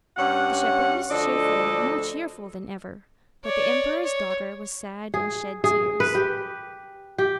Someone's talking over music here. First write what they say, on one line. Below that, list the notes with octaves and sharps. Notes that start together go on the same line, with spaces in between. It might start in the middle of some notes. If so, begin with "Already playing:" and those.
The shepherd was cheerful, more cheerful than ever, but the emperor's daughter was sad and shed tears.
G2 C#4 C#5 D5 F#5
D2 F3 D4 A4 D5 D#5
C#5 D5
C#5
G#4
G#4
B4
G4
G4